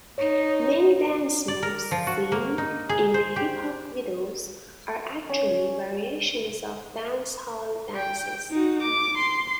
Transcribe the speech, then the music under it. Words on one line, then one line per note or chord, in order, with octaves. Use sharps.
Many dance moves seen in hip hop videos are actually variations of dancehall dances.
D#4 C#5
D5
A#4
F3
F#4
A#3
D#4
G#4
C5
G4
C#4
G5
D#4 F#4
D6
C6